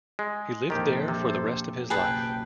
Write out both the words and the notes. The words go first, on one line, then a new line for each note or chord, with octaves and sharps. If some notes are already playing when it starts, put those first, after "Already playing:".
He lived there for the rest of his life.
G#3
A#1 F2 D#3 G4 A4 C5
C3
F#1 B1 G#4 B4 G5 A5